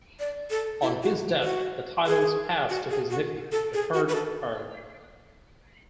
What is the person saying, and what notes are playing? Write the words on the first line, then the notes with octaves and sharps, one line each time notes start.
On his death the titles passed to his nephew, the third Earl.
D5
A4
E4
F#4
F#4
G#4
F#4
G#4
F#4
A4
G#4
F#4
B4
A4